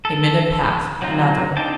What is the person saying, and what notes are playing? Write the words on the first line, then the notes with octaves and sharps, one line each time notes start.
A minute passed--another.
A4
F#3 C4 D#4 F4
C4 D4 D#4 G5 A5